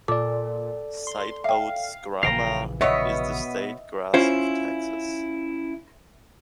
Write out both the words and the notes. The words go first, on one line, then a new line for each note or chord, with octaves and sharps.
Sideoats grama is the state grass of Texas.
A#2 A4 D5 D6
C6
E5 F5 G5
A#1 C#3 E3 F5 G5 A#5
B2 B3 C#5 D#5 E5
C#4 E4 F4 C5